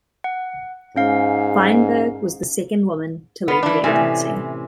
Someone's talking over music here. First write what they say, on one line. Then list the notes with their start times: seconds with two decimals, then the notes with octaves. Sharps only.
Feinberg was the second woman to lead the agency.
0.24 F#5
0.96 G#2 C#4 F5
3.48 B3 F4 F5
3.63 E3 D4
3.84 A2 C3 E3 C#4